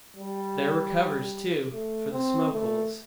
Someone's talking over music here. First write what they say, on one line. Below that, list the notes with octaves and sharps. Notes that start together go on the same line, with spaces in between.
There were covers, too, for the smoke-holes.
G3
A3
C4
A3